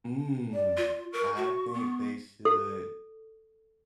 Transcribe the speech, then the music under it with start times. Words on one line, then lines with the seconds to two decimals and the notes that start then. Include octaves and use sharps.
Mm, I think they should
0.53 D5
0.77 F4
1.13 A#4 C#6
1.36 F#4
1.74 B3
2.45 A4